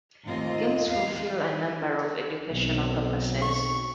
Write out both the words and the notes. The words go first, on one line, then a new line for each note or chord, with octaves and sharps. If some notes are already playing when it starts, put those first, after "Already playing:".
Games fulfill a number of educational purposes.
D#2 A2 A#3 C4 F4 D#5
E2 G#3 F5
B1 C4
C#6